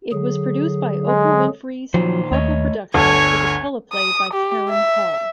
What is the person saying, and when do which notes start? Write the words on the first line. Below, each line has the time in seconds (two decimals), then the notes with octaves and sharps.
It was produced by Oprah Winfrey's Harpo Productions with a teleplay by Karen Hall.
0.12 D3 F#3 G#4
1.07 G#3
1.94 A#2 D#3 F3 F#3 C5
2.32 D#2 A3 C#5 D#5
2.94 G1 D2 A4 C#5 G#5
3.93 D#6
4.34 G4
4.69 E5